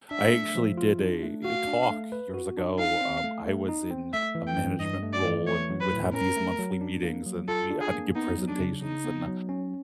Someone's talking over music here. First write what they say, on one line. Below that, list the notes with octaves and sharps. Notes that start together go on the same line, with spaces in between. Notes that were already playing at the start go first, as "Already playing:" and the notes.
I actually did a talk years ago, um, I was in a management role and we would have these monthly meetings and we had to give presentations and
D4 E5
A3
F3
F4
D4
A3
F#4 F5
D4
A3
B4
F#4
D4
D#4 F5
C4
A3
A3
D#4
C4
A3 E5
E3
G5
G2
G2 D#5
A3
D5
E3
A3 C#5
F#3
B4
A2
C#4 A#4
A3
F#3
D4
A#3
F#3
F4 A4
D4
G#4
A#3
B3 D#4
F#3
D4
C#3
C#3 D#4
B3
F#3
C#4